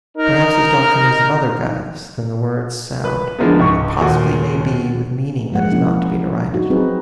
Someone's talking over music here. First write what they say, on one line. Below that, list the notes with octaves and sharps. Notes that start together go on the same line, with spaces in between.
Perhaps his doctrine is of other guise Than the words sound, and possibly may be With meaning that is not to be derided.
D#4 A#4
B4
D3 E3 F3 G#3 A#3 B3
C#2 G#2 C#6
D#2 A#2 F#4 A4
F3 G#3 A#3 F#5
F3 A#3 C#4 E4
D#4 F#4
F#3 C4 D#4 G#4 B4